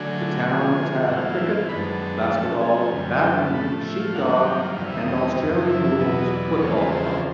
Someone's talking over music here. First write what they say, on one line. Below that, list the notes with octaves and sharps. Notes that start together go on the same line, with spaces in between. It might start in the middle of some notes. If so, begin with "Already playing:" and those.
The town has had cricket, basketball, badminton, sheep dog and Australian rules football clubs.
Already playing: D3 F#3 A3 D4 G#5
D3 F3 G#3
G2 E3 A3 C4 F#5
F5
F5
E5
F5
F#2 D#3 G#3 B3 D4 B5
A5
A5
G#2 F3 A3 C#4
G#5
F#2 D3 G3
G#5
G5
A5
A2 F3 A3 B5
A5
E5
F5
G2 D#3 F#3 A#3 D4 F#5
G5
F5
E2 C3 D#3 G3 F5
E5
D#5
D#5
F#2 C#3 E3
E5
E5
E2 B2 F#3 B3 E5
D#5
D5
E2 C#3 F3 G#3 C4 C#5
B4
C5